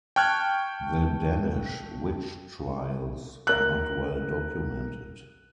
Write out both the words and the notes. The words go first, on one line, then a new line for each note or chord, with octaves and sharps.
The Danish witch trials are not well documented.
G5 A5 C#6 F6 F#6 G#6
A#4 F#6